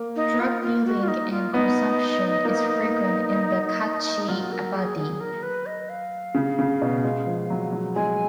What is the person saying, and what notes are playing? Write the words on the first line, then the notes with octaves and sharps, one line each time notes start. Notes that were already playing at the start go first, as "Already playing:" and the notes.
Drug dealing and consumption is frequent in the katchi abadi.
Already playing: A#3
D#4
F4
F4
F#4
F4
D#4
F4
B3 D#4
A#3
F#3 F4
A#4
G#4
G#4
A#4
B4
D#5
F5
C#3
C#3
B2
G#3
F3
F#3
F#3
G#3 G#5